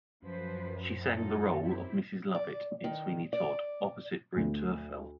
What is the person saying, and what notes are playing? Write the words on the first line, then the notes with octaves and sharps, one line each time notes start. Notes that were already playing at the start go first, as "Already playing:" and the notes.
She sang the role of Mrs. Lovett in "Sweeney Todd" opposite Bryn Terfel.
F#2 F3 B4 C5
D#4 F4 A4
C4 E4 G4
D5
D#3
D5
D2